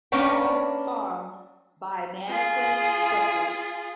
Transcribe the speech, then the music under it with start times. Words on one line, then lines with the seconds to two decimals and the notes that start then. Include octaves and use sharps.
All songs by Mannequin Pussy.
0.12 A#3 C#4 D4 B4 C#5 G5
2.29 F4 G#4